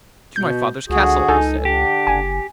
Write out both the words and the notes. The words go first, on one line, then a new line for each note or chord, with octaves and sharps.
'To my father's castle,' he said.
B2 G6
C#2 D3 F#4 G#4
C#2 D#4 A4 G#5
D3 D4 G4
F#1 G#5